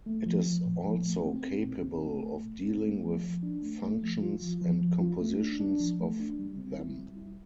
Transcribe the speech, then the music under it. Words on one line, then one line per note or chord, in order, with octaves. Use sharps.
It is also capable of dealing with functions and compositions of them.
A3
F3
F3
A2
F3
A3
C4
C4
A2
C4
A3
A3
A2
C4
A3
F3
F3
D4
A3
A3
F3
F4
F3
F3
F3
F4
A3
D4
D4
F3
A3
D4
G3
C4
E4
G3
E4